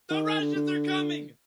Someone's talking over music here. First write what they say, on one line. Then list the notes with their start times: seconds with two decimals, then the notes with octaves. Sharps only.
The Russians Are Coming!
0.10 D#3
0.40 D3
0.55 D3